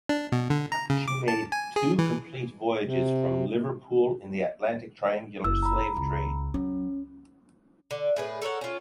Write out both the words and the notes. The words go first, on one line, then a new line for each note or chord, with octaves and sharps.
She made two complete voyages from Liverpool in the Atlantic triangular slave trade.
D4
B2
D3
A#5
C#3
D6
A5
G#5
G#4
E3
C3
F#1 E4 E6
A#5 B5
C#2
F#3 C#4
D3
A2 G#4 B4
A4 A#4 C#5 F#5
C#4 F4